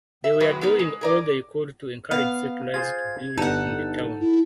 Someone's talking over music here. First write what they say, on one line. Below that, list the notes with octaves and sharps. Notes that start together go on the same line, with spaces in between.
They were doing all they could to encourage settlers to build in the town.
E5
A2 F#3 G#3 F#4 B4
B3 D#4 A#4 B4
G#3
G#4 A#4 D5
B3 F5
F4 G#4 C5 G#6
G1 D#4 A4 F#5
E4